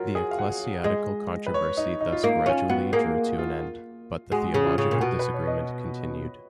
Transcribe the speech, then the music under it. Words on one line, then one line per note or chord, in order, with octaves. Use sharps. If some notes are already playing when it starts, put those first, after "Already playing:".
The ecclesiastical controversy thus gradually drew to an end, but theological disagreement continued.
Already playing: F#3 F4 F#4 A#4
G#4
F5
F#5
G#3 D#5
B4
C#5
D#4
D#4
F4
A#3 D#4
C#4 F4
B3 F#4
A#3 G#4
F4
G#3 F#4
C#3
F4
C#3
A#2
B2 F#4
B4
C#5
D#5